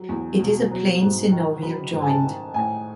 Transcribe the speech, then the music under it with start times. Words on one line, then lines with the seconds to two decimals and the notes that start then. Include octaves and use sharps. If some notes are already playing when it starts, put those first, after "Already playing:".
It is a plane synovial joint.
Already playing: F#3
0.09 E2
0.39 B2
0.71 F#3
1.01 G#2
1.31 D#3
1.62 F#3 B5
1.92 G#2
2.02 G#5
2.08 A5
2.23 D#3
2.54 A2 G#5